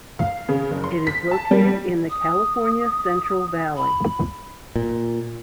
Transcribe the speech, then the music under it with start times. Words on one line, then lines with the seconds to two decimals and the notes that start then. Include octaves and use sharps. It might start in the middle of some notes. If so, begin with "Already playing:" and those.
It is located in the California Central Valley.
0.19 F5
0.48 C#3
0.71 F#1
0.84 C6
1.07 B6
1.31 A5
1.51 G3
2.10 D#6
3.77 B5
4.76 A#2